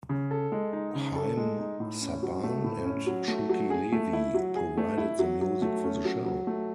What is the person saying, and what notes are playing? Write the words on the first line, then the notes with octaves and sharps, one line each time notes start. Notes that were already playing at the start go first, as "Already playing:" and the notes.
Haim Saban and Shuki Levy provided the music for the show.
C#3
A4
G#3
D#4
C#3
A4
G#3
D#4
A2
C#4
F#3
A3
A2
C#4
F#3
A3
F#3
G#4
A3
E4
F#3
G#4
A3
E4
F#3
F#3
A3
C#4
F#3
F#3
A3